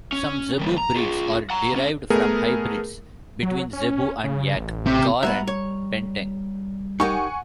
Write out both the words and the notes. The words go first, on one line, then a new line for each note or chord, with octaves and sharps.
Some zebu breeds are derived from hybrids between zebu and yak, gaur and banteng.
C#4
D#3 G3
A#5
F4 G#4
F#5 A#5
C#2 C#4
A3 B3 G#4 A#4
F#3
C#4
C#3
A1
C3
G3 B3 F#4 E5 A#5
C#5
D#4 G4 A#4 F#5 G#5 C#6